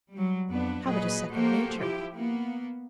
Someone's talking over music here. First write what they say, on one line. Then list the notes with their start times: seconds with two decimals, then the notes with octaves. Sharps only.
Habit is second nature.
0.13 F#3 G3
0.49 F2 B3 D4 B4
0.84 A#2 F#3 G#4 B4 D#5
1.31 A#3 F#4 G4 A4 C5
1.78 F3 E4 G4
2.16 A#3 B3